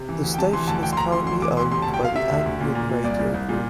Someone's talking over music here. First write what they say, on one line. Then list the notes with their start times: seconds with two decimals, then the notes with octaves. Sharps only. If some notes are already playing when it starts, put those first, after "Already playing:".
The station is currently owned by The Anglian Radio Group.
Already playing: C3
0.09 E3
0.23 D2
0.34 G5
0.38 C3 A5
0.53 E3 C6
0.67 D2 A5
0.83 D2 G5
0.93 C6
0.97 D2 A#5
1.12 E3 C6
1.27 D2 C6
1.42 E3 D6
1.57 D2 C6
1.71 C3 C6
1.82 A5
1.86 D2
1.94 G5
2.01 D2 F5
2.16 C3 E5
2.31 D2
2.46 D2
2.60 A#2
2.75 A#2
2.89 A#2
3.04 C2 D5
3.19 C2
3.34 C2
3.49 A#2